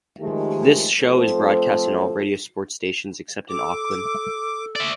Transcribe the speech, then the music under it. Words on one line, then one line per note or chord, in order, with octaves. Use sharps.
This show is broadcast on all Radio Sport stations except in Auckland.
D#2 D#3 F3 G#3 A3 G4
F3 A3 C4 A4 C5
A4 D6
D5 E5